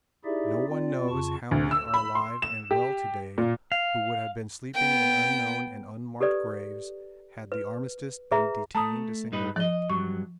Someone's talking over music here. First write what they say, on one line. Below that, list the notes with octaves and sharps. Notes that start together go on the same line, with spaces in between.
No one knows how many are alive and well today who would have been sleeping in unknown and unmarked graves had the armistice been detained a single week.
D#4 E4 G4 G#4 D5 E5
C4 F4 D5
F2 C#3 F4 A5 C#6
D2
E6
B5
C6
E7
G4
A#2
F5
B3 G5
G4 A4 B4 D5
B4
G#4 B4 E5 A#5
A3 A5 A#5 D#6
G2 D#4 B4
F3 D5 D#5
G2 F#3 C#6